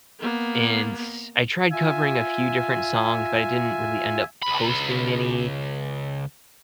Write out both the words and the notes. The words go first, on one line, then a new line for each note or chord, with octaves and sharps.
and I tried covering a few different songs, but I didn't really end up posting many.
A#3 B3
F4 E5 G#5
C#2 B5